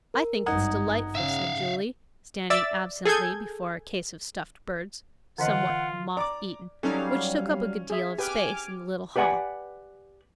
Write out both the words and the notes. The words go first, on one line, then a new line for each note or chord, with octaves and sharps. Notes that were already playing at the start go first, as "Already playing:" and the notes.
"I think it's delightful," said Julie, standing absently before a case of stuffed birds, somewhat moth-eaten, which took up a good deal of space in the little hall.
A#4
G#1 G2 D#4 F#5 A#5 D#6 G#6
C#3 E5 F5
D5 E5 E6 A6
G#4 A4 G#5 G6 G#6
D3 E3 F4 D#5 F#5
D5 A#5 D6
F#3 G3 C#4 D#4 A4 F5
G#4 E5
G4 B4 G5 G#5 D6 F6
G4 B4 D5 F#5 G#5